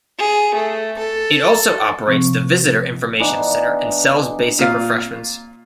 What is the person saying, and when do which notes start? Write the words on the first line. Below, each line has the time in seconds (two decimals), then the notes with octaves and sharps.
It also operates the Visitor Information Centre and sells basic refreshments.
0.18 G#4
0.54 A3
0.98 A4
2.07 C3 F3 C4 C#6
3.20 E3 B3 D4 D#4
4.59 A#2 F5